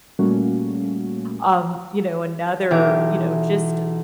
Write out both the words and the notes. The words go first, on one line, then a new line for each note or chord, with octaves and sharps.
um, you know, another, you know, just
A#2 G3 A3 A#3 C#4 F#4
B1 E3 G4 G#4 D7